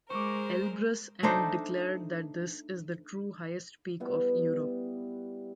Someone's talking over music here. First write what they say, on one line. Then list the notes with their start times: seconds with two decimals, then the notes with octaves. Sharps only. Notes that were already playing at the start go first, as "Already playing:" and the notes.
Elbrus and declared that this is the true highest peak of Europe.
0.10 G#3 A#4 C5 C#6 D6
1.23 A3 D4 D#4 C5
4.00 G3 B3 E4